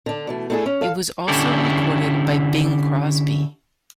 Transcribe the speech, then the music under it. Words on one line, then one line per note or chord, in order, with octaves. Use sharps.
It was also recorded by Bing Crosby.
D3 D4
B2 E3 A3
A3 D4 E4 F4 G#4 A4
C#4
A4 F5
D3 C#4 E4 G4 A4